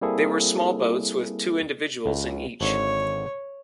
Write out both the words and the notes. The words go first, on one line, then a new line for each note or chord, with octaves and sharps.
They were small boats with two individuals in each.
G3 A#3 C4 E4 G#4 A4
C#2
G#1 D3 C#5